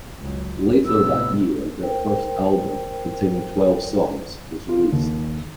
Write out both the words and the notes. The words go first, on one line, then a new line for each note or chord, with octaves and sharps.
Later that year their first album, containing twelve songs was released.
C#2 F#3
A2 C3 B3 E6
A#4 C5 G5
F4
D#2